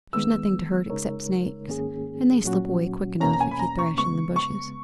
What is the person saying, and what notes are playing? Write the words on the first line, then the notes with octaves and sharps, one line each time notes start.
There's nothing to hurt except snakes--and they slip away quick enough if you thrash in the bushes.'
D#3 G#3 B3 E6
C#3 G#3 D#4 A#4 C#5
G#2 D#3 A#3 C#4 G#4
A#2 F#3 C#4 F#4
E2 B2 A#3 C#4 A#5
A#5
G#5
B5
A#5
C#6
C#3 G#3 B3 C#6
C#6